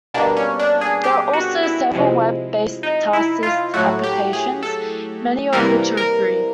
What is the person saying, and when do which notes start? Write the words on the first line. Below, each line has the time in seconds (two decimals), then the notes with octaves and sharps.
There are also several web-based task list applications, many of which are free.
0.14 B2 G3 A#3 D4
0.37 C#4
0.59 D4
0.81 G#4
1.04 G4
1.33 F#4
1.63 E4
1.93 C3 F3 G#3
2.83 D#4
3.13 E4
3.43 F4
3.74 A2 F#3 A3 F#4
4.03 G4
4.33 G#4
4.63 A4
5.52 C3 E3 G3 A#3 A#4
5.97 A#4